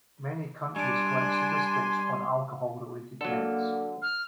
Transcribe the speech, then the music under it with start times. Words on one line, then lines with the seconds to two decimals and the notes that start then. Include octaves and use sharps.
Many countries collect statistics on alcohol-related deaths.
0.76 G3 D4 G#5 C6
3.21 D3 F#3 A#3 A4
4.02 F6